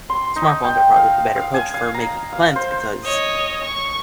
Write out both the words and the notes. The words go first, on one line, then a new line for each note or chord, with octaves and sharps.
smartphones are probably the better approach for making plans because
C6
D#4
G5
F5
F5
G#5
F5
A#5
F5
C5
C#5 D#5
C#6